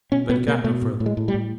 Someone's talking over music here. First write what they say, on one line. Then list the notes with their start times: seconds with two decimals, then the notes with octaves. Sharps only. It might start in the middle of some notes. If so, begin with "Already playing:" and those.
But he got no further.
0.12 B2 C#4
0.29 B2 B3
0.47 B2 A#3
0.64 B2 A3
0.82 A2
1.00 A2
1.06 G#3
1.17 A2
1.28 G3
1.34 A2